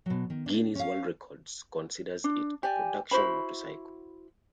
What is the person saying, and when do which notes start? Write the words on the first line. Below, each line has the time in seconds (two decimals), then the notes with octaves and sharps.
Guinness World Records considers it a production motorcycle.
0.06 B2 F#3
0.30 D#3
0.46 D4
0.75 C#4 F5
2.24 D4
2.63 G4 D5 G#5
3.11 E4 F#4 C5 B5